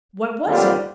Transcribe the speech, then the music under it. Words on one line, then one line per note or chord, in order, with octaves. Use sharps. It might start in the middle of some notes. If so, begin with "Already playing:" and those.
What was it?
D#2 D3 G3 C4 F4